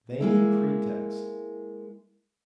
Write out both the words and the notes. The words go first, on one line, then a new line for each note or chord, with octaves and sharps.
Vain pretext!
G#3 A#3 E4